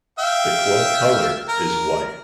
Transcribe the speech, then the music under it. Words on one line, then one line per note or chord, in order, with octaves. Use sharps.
The club colour is white.
E5 F5 G5
A#4